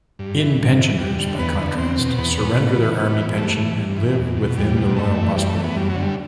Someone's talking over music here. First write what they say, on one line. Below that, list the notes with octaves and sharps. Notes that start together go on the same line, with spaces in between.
In-Pensioners, by contrast, surrender their army pension and live within the Royal Hospital.
G2
E3
G2
E3
E2 G3
D3
E2 B3
D3
E2 C4
B2
E2 B3
B2
A2
E3
A2
E3
G2 A3
E3
G2
E3
E2
B2
E2 G3
B2
F#2 A3
E3
F#2 G3
A3
E3
B3
F#2 G3
F#3
D3
G3